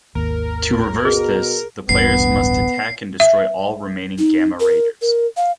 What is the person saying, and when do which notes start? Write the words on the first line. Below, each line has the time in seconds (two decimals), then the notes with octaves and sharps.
To reverse this, the players must attack and destroy all remaining Gamma Raiders.
0.15 G#1 D#2 A#3 A#4
1.05 B2 G#4
1.89 D1 A1 G2 B3 C7
3.20 E5
4.18 D#4
4.60 A#4
5.02 A#4
5.37 F5